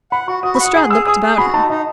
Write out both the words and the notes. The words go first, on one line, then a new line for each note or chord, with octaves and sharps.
Lestrade looked about him.
F#5 B5
F#4 C#6
F#4 D#6
B5
F#5 D#6
G#4 D#6
G#4 E6
G#4 D#6
G#4
F#4 B5
D#4 A5
D#4 D#5